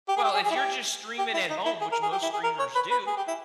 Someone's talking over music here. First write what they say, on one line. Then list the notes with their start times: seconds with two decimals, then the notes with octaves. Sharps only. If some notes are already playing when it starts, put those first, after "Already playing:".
Well, if you're just streaming at home, which most streamers do,
0.09 G4
0.16 G#4
0.24 G4
0.34 G#4
0.45 G#4
0.50 E4
0.55 G4
1.18 G4
1.34 E4
1.50 D#4
1.66 E4
1.81 G#4
1.92 A#4
2.02 G#4
2.12 G4
2.23 E4
2.33 G#4
2.44 A#4
2.59 C#5
2.75 B4
2.91 B4
3.07 G#4
3.17 G4
3.28 E4